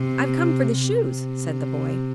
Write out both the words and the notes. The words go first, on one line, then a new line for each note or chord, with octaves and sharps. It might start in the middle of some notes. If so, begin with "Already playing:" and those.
"I've come for the shoes," said the boy.
Already playing: C3
C3